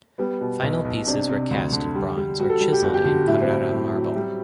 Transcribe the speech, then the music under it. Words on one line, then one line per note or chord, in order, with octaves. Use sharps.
Final pieces were cast in bronze or chiseled in Carrara marble.
G3 B3
B2
B1
B1
C3 D4
C3
D2
D3
G3
G3
G3 F#4
A4
G3
G4
G1 F#4
G4
D3 F#4
A2 E4
C4
E4
A2
F#3
G3